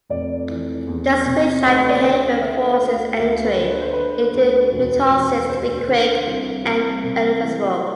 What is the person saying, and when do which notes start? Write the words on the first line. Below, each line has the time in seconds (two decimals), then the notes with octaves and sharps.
The switch-like behavior forces entry into mitosis to be quick and irreversible.
0.10 F1 D5
0.49 E3
0.87 E2
1.26 C3
1.64 D2 C5
1.90 D5
2.03 D3
2.41 D3 E5
2.67 F5
2.80 D2
2.92 F5
3.18 D2 E5
3.44 B4
3.57 D3
3.70 B4
3.81 C5
3.93 D3 B4
4.33 D2
4.72 E1
5.11 E1
5.49 D2 C5
5.88 D3
6.27 C2
6.65 C2
7.04 C3
7.42 E3